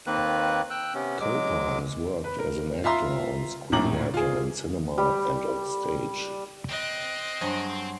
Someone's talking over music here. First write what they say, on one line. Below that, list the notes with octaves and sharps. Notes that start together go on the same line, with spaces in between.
Koper has worked as an actor and screenwriter in cinema and on stage.
D#2 D#3 A#3 C4 B4 F#6
G5 E6 F#6
C3 B3 C#4
F#3 G#3 D6
B4
A#4
F4 E5 A#5 C6
A#1 D#2 A2 A#5 D6 F#7
F4 G#4
G3
C4 D#5 F#6
G2 F#3 G#4 C5